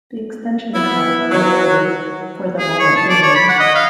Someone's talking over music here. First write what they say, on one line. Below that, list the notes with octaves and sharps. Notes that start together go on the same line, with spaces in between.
The extension is not a priority, for the moment being.
B3 E4
F#3
G#4
C#5
A5
D5
C#5
B5
F#5
D#5
F5